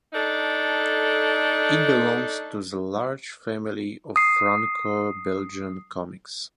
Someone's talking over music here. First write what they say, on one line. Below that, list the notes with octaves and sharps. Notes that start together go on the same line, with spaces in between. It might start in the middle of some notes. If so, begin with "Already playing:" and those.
It belongs to the large family of Franco-Belgian comics.
A3 D4 D#4 A4
D#6 C7